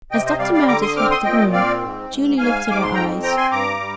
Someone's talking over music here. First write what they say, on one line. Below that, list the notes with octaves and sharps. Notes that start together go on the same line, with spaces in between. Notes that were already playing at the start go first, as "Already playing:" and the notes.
As Dr. Meredith left the room, Julie lifted her eyes.
C3 D#5 G5
C5 D#5
G3 D5 F5
D5 F5
D3 A#5 D6
C6 D#6
C4 D6 F6
C6 D#6
A#2 D#5 G5
C4 D5 F5
G#2
G#2
G#2 F5 G#5
G#2
D6
C6
F2 G5 A#5
C4 G5 A#5
G#5 C6
G2 A#5 D6
G3